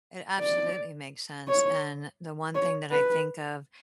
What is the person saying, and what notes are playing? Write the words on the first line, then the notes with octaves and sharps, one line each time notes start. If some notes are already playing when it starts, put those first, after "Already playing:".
It absolutely makes sense, and the one thing that I think of
D5
C#5
C#5
B4